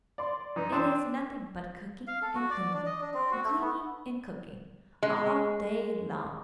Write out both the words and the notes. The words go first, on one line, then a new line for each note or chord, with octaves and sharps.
It is nothing but cooking and cleaning, and cleaning and cooking, all day long.
D5 C6
E3 D#4
C4 D4 C6
F5
A4
F#4
D5
D4
D#5
D4
C4
F#4
A3
B3
G#3